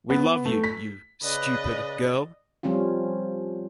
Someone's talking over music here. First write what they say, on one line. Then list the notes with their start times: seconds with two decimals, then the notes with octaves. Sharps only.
We love you, you "stupid" girl!
0.10 B3
0.46 A3
0.64 B6
1.23 C#3 B4 D5 D#5
2.63 F3 G3 C4 C#4 F4